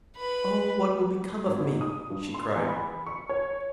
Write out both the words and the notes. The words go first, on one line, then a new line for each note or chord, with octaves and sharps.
'Oh! what will become of me?' she cried.
B4 B5
G#1
D#4
D#6
G2
C6
E2
B5
C#6
C#5